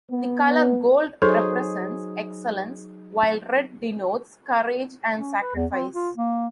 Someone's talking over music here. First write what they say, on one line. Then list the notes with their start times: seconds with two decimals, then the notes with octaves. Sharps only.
The color gold represents excellence, while red denotes courage and sacrifice.
0.10 B3
1.22 F#3 D#4 G#4 A4 C5 C#5
5.17 C#4
5.42 B4
5.55 E2
5.71 C4
5.94 F4
6.17 A#3